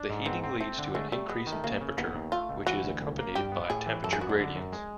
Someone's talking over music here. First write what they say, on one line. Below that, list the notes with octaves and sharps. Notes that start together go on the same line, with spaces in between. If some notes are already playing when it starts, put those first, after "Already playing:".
The heating leads to an increase in temperature, which is accompanied by temperature gradients.
Already playing: D4
G#2
B3 C4
C4
A3 C4
D3
G#3 A3
G3 A3
G#3 B3
D#3
A3
C#3 A#3
C#3
D#2 B3
D#2
A3 F4
C#2
E3 F#4
D2
C2
A#3
G2 G4
B3
A2 G#4
E3
F#2 A4
G#4
B3 F#4
D4
D3
F#2
G#3